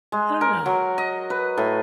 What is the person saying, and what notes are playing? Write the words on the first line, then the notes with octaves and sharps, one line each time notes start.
I don't know.
G#3
A#4
F#3
D#5
B4
A2